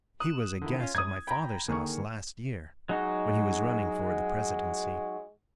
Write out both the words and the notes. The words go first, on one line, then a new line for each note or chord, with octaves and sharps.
He was a guest at my father's house last year when he was running for the presidency.
D#6 F#6 E7
D3 D#3 E4
C#4 F4
F#2 D#6 G#6
G5 A#5 B5
D3 D#3 A#3 G#4 C#6
F#3 G#3 D#4 F#4